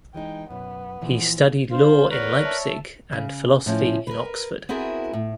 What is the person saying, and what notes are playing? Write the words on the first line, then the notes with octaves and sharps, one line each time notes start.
He studied law in Leipzig and philosophy in Oxford.
E3 G#3 D#4 G5
F#2 B2 B3
A#2 E3 F3
D4 F4 C5 F5
E2 B3 A#4 B4 C#5 D5
E5 A5
C#3
A2 F3 C#4
A#4 B4
B3 C4 E4 F#4 G#4 A#4
A2